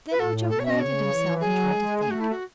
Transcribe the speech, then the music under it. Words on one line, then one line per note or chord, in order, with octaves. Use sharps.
Then Ojo quieted himself and tried to think.
B4
A2 A4
B2 A4
C#5
E5
D#5
C#3 C#5
E3
F#3 G#4
G#3
A3 G#4
F#4
E4
F#4